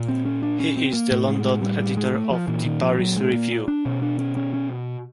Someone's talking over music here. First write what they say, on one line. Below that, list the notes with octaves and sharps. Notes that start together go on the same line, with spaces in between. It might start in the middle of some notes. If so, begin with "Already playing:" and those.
He is the London editor of "The Paris Review".
Already playing: A#2
C4
C#4
D4
C#4
C4
A#3
A2 A3
G#3
G#3
G3
G3
G#3
A3
F3
A#2 E3
D#3
F3
F#3
G#3
A#3
D4
B2 C#4
D4
C#4
C#4
C#4